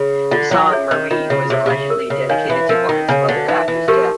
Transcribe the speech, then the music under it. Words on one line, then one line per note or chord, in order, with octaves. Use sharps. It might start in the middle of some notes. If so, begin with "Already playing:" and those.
The song "Marie" was allegedly dedicated to Martin's mother after his death.
Already playing: C#3
D3 F4
F#3
G#4 C#5 E5
D#3
D#3 F4
C#3
C3 G#4 C#5 E5
C3
C#3
A#4
C#3
D#3 C#5 F5 G#5
E3
F3 A#4
D#3
C#3 C#5 F5 G#5
D3
E3 D#4
E3
F3 G4 A#4